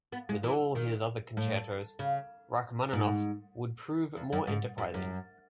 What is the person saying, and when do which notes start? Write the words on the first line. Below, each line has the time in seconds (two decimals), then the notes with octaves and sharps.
With all his other concertos, Rachmaninoff would prove more enterprising.
0.12 B3
0.29 G#3
0.43 E3
0.75 D#3
1.37 A2
1.99 C#3
2.93 G#2
4.16 E2
4.32 F#2
4.47 G#2
4.78 F#2
4.94 F#2